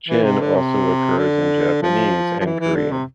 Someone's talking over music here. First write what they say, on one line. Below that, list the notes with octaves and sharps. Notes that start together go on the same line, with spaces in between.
"Jin" also occurs in Japanese and Korean.
E3
C3
D3
C3
D3
F3
F3
E3
E3
D3
C3